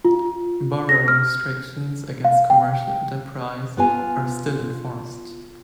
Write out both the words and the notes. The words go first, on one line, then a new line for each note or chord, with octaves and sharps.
Borough restrictions against commercial enterprise are still enforced.
F4
A#6
F6
F5
G5
B3 F4 G#5